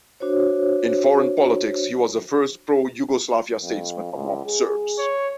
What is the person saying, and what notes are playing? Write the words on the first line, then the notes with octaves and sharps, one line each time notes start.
In foreign politics, he was the first pro Yugoslavia statesman among Serbs.
D4 F#4 C5 C#5
F2
C#2
G#4
C#5